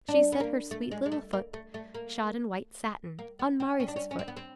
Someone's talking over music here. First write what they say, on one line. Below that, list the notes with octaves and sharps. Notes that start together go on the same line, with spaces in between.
She set her sweet little foot, shod in white satin, on Marius' foot.
D4
B3
A#3
A3
G#3
G#3
A3
A#3
A3
A3
A#3
A#3
B3
C4
C#4
D4
C#4
C#4
C4
B3
C4